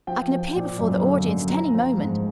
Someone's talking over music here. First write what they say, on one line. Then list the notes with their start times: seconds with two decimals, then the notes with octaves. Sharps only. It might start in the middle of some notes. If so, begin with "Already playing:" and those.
I can appear before the audience at any moment.
0.07 F3 G5
0.31 F3
0.55 A#2
0.79 F#2
1.03 D3
1.26 F#2
1.50 F3 A#5
1.74 F3
1.98 G#2